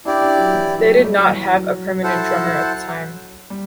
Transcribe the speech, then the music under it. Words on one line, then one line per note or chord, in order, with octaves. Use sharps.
They did not have a permanent drummer at the time.
D4 E4 G4 D5
D4
F#3
E3
F#3
A3
G3
F#3
E3
F#3
E4 A4 C5 F#5 A5
G3